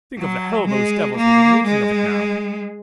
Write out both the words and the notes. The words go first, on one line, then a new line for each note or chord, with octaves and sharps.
Think of the hell those devils will be making of it now!
F#3
G#3
A#3
G#3